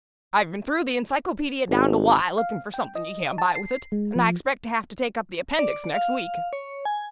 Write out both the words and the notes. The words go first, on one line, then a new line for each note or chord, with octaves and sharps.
I've been through the encyclopaedia down to Y looking for something you can't buy with it; and I expect to have to take up the appendix next week.
G#1
F5
G5
D#5
A5
C7
G#3
F3
D5
F5
C#5
G#5